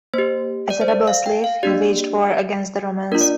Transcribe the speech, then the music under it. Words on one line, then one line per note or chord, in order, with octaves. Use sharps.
As a rebel slave he waged war against the Romans.
A#3 G4 C5
D5
C5
D5
F5
G5
F5
A#3 D4 G4 D5
A#3 D4 F4 A#4
D5